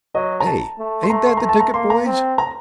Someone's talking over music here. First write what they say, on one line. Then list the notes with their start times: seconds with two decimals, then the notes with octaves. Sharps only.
"Eh, ain't that the ticket, boys!"
0.15 F#3 D#5
0.40 A#5
0.47 A5
0.78 A3
1.03 C6
1.10 A3 A#5
1.26 C6
1.37 A3 A#5
1.49 A5
1.60 A#5
1.74 A#3 C6
1.90 A#5
2.06 C4
2.38 A#5